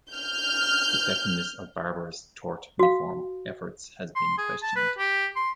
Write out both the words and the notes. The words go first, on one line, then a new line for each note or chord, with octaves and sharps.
The effectiveness of Barbour's tort reform efforts has been questioned.
F6 G6
F#4 F5
C6
G#4
A5
B4
G4
C6